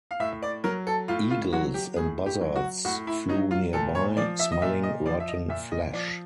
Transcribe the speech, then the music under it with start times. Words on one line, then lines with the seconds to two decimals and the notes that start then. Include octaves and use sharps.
Eagles and buzzards flew nearby, smelling rotten flesh.
0.11 F5
0.20 A2 E5
0.42 D5
0.64 F#3 A#4
0.87 A4
1.08 A2 F4
1.31 F4
1.53 F#3 F#4
1.74 G4
1.96 A2 G#4
2.26 G4
2.41 F#3
2.56 F#4
2.85 A2 F#4
3.07 E4
3.29 F#3 D#4
3.51 F4
3.73 A#2 A4
3.95 C#5
4.17 F3 D5
4.39 E5
4.52 D#5
4.62 A#2 E5
4.83 D#5
5.06 F3 D5
5.20 E5
5.28 D#5
5.49 A#2 E5
5.72 D#5
5.93 F3 D5